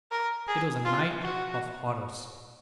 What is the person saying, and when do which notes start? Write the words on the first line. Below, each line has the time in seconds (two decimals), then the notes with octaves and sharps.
It was a night of horrors.
0.11 A#4
0.48 G#4
0.85 F4
1.22 F#4